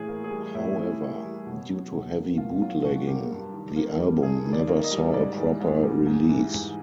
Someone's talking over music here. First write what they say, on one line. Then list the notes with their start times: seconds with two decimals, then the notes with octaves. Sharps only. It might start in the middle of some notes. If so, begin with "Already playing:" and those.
However, due to heavy bootlegging, the album never saw a proper release.
Already playing: A2 E3 G#4
0.08 A#3
0.24 G#4
0.31 G3
0.54 A2 E4
0.78 E3
1.00 A#3
1.23 G3
1.46 B2
1.70 F#3
1.92 B2
2.15 A#3
2.38 B2 F4
2.62 F#3 F4
2.84 B2 F#4
3.07 A#3 G4
3.31 G2
3.53 D#3
3.76 A#3
3.99 G3
4.23 G2 G#4
4.45 D#3
4.53 D5
4.68 A#3
4.84 D#5
4.91 G3
5.14 G#2 D5
5.37 E3
5.61 G#2
5.83 G3
6.07 G#2
6.29 E3
6.53 G#2